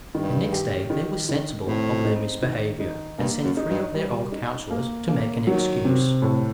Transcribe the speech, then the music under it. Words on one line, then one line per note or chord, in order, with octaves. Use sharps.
The next day they were sensible of their misbehavior, and sent three of their old counsellors to make an excuse.
G2 D#3
G4
D#3
D#3
A2 C4
D#4
D#3
D#4
G2 A#3
F#2
D#4
G2
G3
D#4
A#3
A#3
D#3 F#3
C3
A2